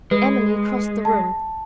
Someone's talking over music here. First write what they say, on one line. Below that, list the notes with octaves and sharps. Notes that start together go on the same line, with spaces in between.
Emily crossed the room.
G#3 B4
A5